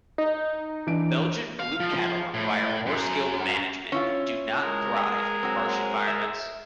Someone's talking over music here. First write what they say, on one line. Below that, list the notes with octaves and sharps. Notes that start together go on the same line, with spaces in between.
Belgian Blue cattle require more skilled management and do not thrive in harsh environments.
D#4
E3 D4 D7
F5
F3
A2
F#2
C#4 E4 F4
G#3 G#4 A#4
F#3 C4
E5